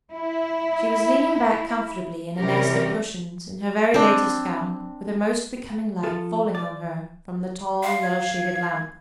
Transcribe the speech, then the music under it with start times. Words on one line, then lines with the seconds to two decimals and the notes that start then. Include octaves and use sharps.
She was leaning back comfortably in a nest of cushions, in her very latest gown, with a most becoming light falling on her from the tall, yellow-shaded lamp.
0.10 E4
2.37 C3 E3 G3 C#4 G4 A#4
3.94 C4 D4
6.03 F3 F4 A4
6.55 D5
7.83 F5 C6
8.03 G#6